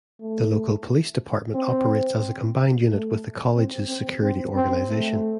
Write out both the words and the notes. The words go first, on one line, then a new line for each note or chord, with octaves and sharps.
The local police department operates as a combined unit with the college's security organization.
A3
C4
A3
C4
C4
C4
C4
A3